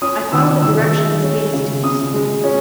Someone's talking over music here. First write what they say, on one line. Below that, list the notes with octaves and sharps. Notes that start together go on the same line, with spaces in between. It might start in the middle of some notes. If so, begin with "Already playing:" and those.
I follow the direction of his gaze to eastward!
C#4 D#6
D#3 E6
D#3 E6
G#3
C#4
C#3
C#3 D#6
G#3
C#4